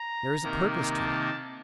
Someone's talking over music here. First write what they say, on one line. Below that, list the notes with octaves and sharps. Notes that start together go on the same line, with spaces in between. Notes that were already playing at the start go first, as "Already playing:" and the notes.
There is a purpose to it.
Already playing: A#5
C3 D#3 A#3
A5